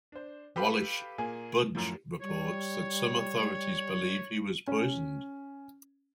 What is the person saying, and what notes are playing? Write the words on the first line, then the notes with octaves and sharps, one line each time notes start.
Wallis Budge reports that some authorities believe he was poisoned.
D4 C5
G4 A4 B4 F5 B5
A#2 A#3 G#4 G#5
F#2 A2 F3
G3 C#5
C#4